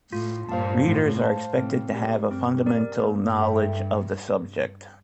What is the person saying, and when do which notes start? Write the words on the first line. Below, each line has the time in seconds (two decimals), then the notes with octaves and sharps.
Readers are expected to have a fundamental knowledge of the subject.
0.12 A2 F4
0.49 G2 A#2 C5 F5 A5
0.85 A2 F4
1.22 C5 F5 A5
1.58 A2 C4
1.94 A2 G4 A#4 D5
2.30 G2 C4
2.66 G4 A#4 D5
3.03 G2 A#3
3.39 E4 A4 E5 G5